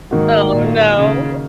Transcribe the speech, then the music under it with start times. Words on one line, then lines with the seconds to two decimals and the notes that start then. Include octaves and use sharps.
Oh, no.
0.11 G#2 D#3 A#3 D#4 F#4
0.54 A#2
0.97 C#3